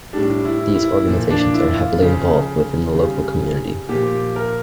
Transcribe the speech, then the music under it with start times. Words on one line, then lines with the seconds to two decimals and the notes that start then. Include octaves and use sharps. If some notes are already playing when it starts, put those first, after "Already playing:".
These organisations are heavily involved within the local community.
0.13 A2 G3 D4
0.45 E4
0.75 E4
1.07 A#2 F3
1.30 D4
1.54 E4
1.78 F4
2.01 C#3 F3
2.95 C#3 G3
3.89 A#2 F3 G4
4.36 A#4